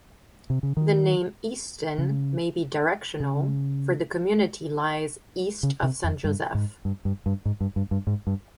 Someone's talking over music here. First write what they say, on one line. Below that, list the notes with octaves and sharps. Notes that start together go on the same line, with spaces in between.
The name Easton may be directional, for the community lies east of Saint Joseph.
C3
C#3
D#3
C#3
C#3
C#3
C3
F2
G2
G#2
G2
G2
G2
G#2
G2
G2
G2
G#2
G2